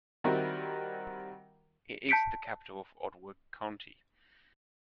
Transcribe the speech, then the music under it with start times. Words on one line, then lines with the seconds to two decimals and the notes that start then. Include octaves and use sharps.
It is the capital of Otwock County.
0.24 D#3 G3 C4 E4 F#4 A#4
2.09 A5 G6 B6 C#7 D7